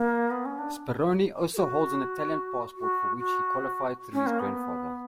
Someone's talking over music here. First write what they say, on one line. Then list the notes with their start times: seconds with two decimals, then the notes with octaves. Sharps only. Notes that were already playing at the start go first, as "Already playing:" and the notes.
Speroni also holds an Italian passport, for which he qualified through his grandfather.
Already playing: A#3
0.31 B3
0.45 C#4
0.59 D4
1.54 A#4
1.57 F#4
2.76 F#4
3.18 F#4
4.13 C#4
4.27 A#3
4.40 B3